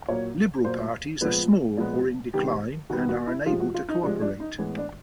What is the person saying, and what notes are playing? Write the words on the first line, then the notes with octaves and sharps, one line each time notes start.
Liberal parties are small or in decline and are unable to cooperate.
A#2 F#3 A#3 C#5
A#2 F#3 A#3 C5
A#2 F3 G#3 B3 B4
A#2 F3 G#3 B3
C3 D#3 G3 B3 G4
C3 D#3 G3 B3 F#4
F#4
E4
C3 F3 G#3 F4
F#4
F4
D#4
C3 F3 G#3 D4
D4
D#4
A2 E3 G#3 B3
D4